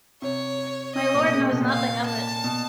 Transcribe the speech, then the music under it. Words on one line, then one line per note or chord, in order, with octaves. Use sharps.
My Lord knows nothing of it.
C3 C#5
C3 D#5
A#2
B2
C#3
C3
B2
A#2
F5
A5
B2